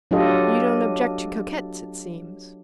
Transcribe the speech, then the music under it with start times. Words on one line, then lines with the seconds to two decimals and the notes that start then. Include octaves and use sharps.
"You don't object to coquettes, it seems?"
0.11 F#3 D4 F4 G4 A4 D#5